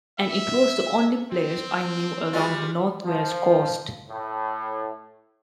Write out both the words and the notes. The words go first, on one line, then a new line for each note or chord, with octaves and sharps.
And it was the only place I knew along the north Wales coast.
E5
C4
G3 G#3 F4
F3
A2